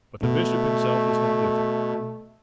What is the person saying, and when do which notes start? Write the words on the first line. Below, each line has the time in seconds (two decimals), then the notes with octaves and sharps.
But the Bishop himself was not with them.
0.23 B2 A3